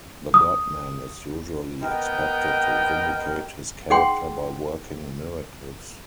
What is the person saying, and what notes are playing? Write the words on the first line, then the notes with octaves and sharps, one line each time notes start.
The god-man is usually expected to vindicate his character by working miracles.
D#6
B3 A#4 D#5 G5
D#4 G#4 F#5 G5 C6